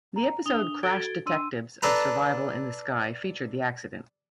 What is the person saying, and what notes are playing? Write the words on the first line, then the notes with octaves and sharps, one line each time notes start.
The episode "Crash Detectives" of Survival in the Sky featured the accident.
A#5
D4 D#6 F7 G7
F#4 A4 G#6 A6 D7 G7
D4 C6 E6 D#7
D4 A4 B4 A#5